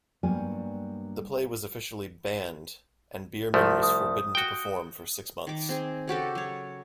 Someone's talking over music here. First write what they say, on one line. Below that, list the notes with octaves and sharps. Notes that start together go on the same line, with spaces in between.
The play was officially banned and Biermann was forbidden to perform for six months.
G2 F#3 G3 A#3 B3 G#5
C2 F3 A3
D#6
F#4 G5
D#3 D6
C4 G#4
C#3 F#4 G4 A4
F#3 C#5